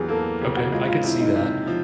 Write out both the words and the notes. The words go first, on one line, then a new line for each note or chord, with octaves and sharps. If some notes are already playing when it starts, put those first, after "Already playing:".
Okay, I could see that.
Already playing: E2 F#3 F4 G4 G#4
A#3 A4
C#3 G4
F#4
G#3 F4
F4
C3 E4
D#4
C3
F3